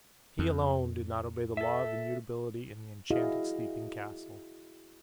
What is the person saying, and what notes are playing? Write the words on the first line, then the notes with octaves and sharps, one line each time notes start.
He alone did not obey the law of immutability in the enchanted, sleeping castle.
F2
A4 E5
E4 F#4 G#4 D#5 F5